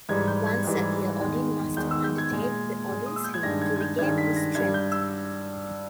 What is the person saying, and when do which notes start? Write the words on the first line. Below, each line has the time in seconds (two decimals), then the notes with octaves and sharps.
Once a year Odin must undertake the Odinsleep to regain his strength.
0.09 G#2 E3 G3 G#6
0.28 G6
0.46 G#6
0.64 G#2 E3 G3
1.21 E2 D#3 G#3
1.76 E2 D#3 G#3 G6
1.91 E6
2.04 G6
2.18 G#6
2.32 A#2 G#3
2.88 A#2 G#3
3.06 D#6
3.16 E6
3.24 G6
3.34 G#6
3.43 G2 D#3 G#3 A#6
3.62 G#6
3.76 G#6
3.80 G6
3.99 G2 D#3 G#3 G#6
4.18 B6
4.36 A#6
4.55 G2 G3 G#6
4.74 G6
4.92 E6